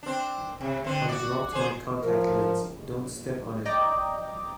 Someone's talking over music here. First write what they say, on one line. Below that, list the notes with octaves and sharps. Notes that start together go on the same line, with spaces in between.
I dropped my contact lens, don't step on it!.
C4 D4
C3
D3 C4
F#4 D5
G#4 C5
F3 A#4
D5 D#5 G5 A#5 D6